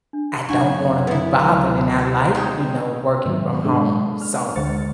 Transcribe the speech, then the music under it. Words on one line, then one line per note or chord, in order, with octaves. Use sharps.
I don't wanna be bothered, and I like, you know, working from home. So
D4
F#1 F#2 D4 D#4 F#4 G#5 C#6
B3 E4
D2 F#3 A#4
A4
C4 D#4 C5 C#5 G5
G#2 D#3 F#3
G#3 D4 A4
F6
D2 D3 G#3 C5 A6 C#7